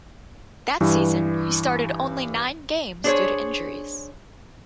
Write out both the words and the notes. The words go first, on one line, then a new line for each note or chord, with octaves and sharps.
That season, he started only nine games due to injuries.
G2 E3
D4 G#4 C5 C#5